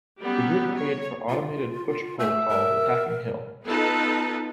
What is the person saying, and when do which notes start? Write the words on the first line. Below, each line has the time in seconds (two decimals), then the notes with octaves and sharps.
The group paid for automated "push poll" calls attacking Hill.
0.21 F#3 G3 B3 C#4 G4
0.74 C#5
1.29 F4
2.20 A3 E5
2.49 A#4
3.67 B3 D#4 F4 A4 B4 A5